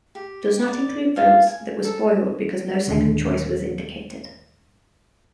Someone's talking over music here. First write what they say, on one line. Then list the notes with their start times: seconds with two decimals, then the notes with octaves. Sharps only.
Does not include votes that were spoiled because no second choice was indicated.
0.15 G4
0.62 D5
1.16 F4 F5
1.47 G#5
1.85 A4
2.87 D#1 D#2 D3 A3